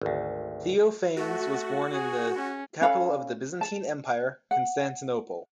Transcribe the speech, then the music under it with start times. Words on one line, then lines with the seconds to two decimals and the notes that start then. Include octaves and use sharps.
Theophanes was born in the capital of the Byzantine Empire, Constantinople.
0.02 G#1 D2
1.17 A3 F#4
1.92 G#4
2.35 C#4
2.81 C#4 A4 F5 B5
3.61 A5
4.51 F#5